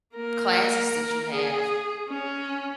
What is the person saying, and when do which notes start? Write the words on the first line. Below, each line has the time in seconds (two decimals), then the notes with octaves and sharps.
classes that you have."
0.15 A#3 A#4
1.32 G#4
2.09 C#4